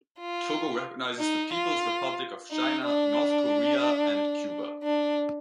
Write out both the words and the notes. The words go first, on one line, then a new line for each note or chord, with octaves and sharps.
Togo recognizes the People's Republic of China, North Korea, and Cuba.
F4
D#4
F4
D#4
D4
D4